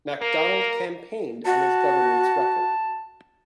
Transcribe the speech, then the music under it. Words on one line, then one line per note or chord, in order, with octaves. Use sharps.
Macdonald campaigned on his government's record.
A#3 A#4
F#4 A5